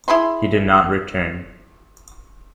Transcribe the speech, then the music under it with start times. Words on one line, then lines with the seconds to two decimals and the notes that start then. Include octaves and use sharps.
He did not return.
0.08 E4 G#4 B5 C6